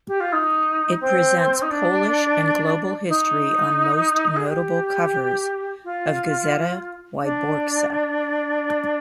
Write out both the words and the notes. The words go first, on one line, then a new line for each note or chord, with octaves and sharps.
It presents Polish and global history on most notable covers of "Gazeta Wyborcza".
G4
F4
D#4
C4
D#4
D4
D#4
G#4
G4
F4
D4